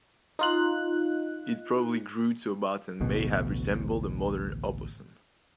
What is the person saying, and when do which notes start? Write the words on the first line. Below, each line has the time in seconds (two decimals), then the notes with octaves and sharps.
It probably grew to about and may have resembled a modern opossum.
0.39 D#4 F4 F#6
3.00 A1 D2 B2